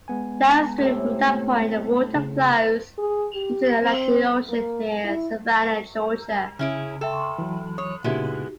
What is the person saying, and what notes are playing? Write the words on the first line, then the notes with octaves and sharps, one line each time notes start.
Downstream from that point, the water flows into the Atlantic Ocean near Savannah, Georgia.
G#3 B3 G#5
A2 C3
C#3
G#4
G4
C4
A#3
E4
C#3 C#4 E4 G#4 F6 D7
A4 E5 G5 A5
E3 F#3
C#5 D#6
A#2 C#3 G#3 B3 D#4 E4 F#4 G4